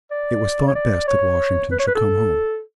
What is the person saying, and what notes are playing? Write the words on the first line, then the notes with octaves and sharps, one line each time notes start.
It was thought best that Washington should come home.
D5
C#5
D5
C#5
B4
C#5
B4
A4